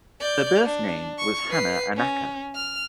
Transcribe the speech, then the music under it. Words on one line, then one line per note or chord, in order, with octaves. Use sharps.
Her birth name was Hana Annaka.
D5 G6
D4
C#6
B4 C7
C#4
F6